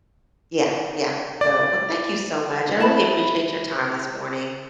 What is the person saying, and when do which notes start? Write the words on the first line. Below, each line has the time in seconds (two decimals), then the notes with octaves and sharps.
Yeah, yeah. So, well, thank you so much, I really appreciate your time this morning.
1.41 D5
2.79 E4 A5 B5